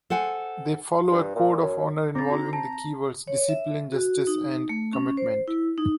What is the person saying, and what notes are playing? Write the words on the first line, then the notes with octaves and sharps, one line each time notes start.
They follow a code of honor involving the keywords "discipline", "justice" and "commitment".
A4 C5 F#5 G#5
G2
A#2
F#2
C4 A#5 D6 A6
D#4 F#4
A5 A#5
C#5
E5
F#4
D#4
A3
C#4
C5
E4
D#4